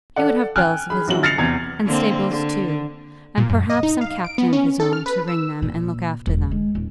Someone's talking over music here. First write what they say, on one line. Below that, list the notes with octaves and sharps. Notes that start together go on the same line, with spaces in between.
He would have bells of his own, and stables, too, and perhaps some captain of his own to ring them and look after them.
A4 D5 F#5
G5 G#5 F6 F#6
G#4 B5
A#1 F#3 F#7
F6 A6 A#6 C7 C#7 F7
E2 C3 G#6
D3 A#3 C4
D3
A#2
F#2
D#5
D#4
F5
D7
B3
C#4
A4
F6
B4
E6
A#2
E1
G#3
D#1